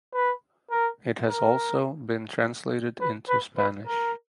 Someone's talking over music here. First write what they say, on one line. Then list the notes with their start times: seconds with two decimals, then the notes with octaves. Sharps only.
It has also been translated into Spanish.
0.14 B4
0.71 A#4
1.28 A#4
3.00 B4
3.28 B4
3.57 B4
3.86 A#4